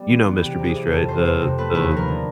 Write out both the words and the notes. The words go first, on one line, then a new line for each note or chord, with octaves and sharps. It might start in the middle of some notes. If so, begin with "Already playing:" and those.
you know MrBeast, right, the the
Already playing: G3 B3
E3
B3
C3 G4
C3
G#4
E3
A4
F2
F2 C5
A3 C5
C3
A3 B4
D#2 B4
F3
A#4
D3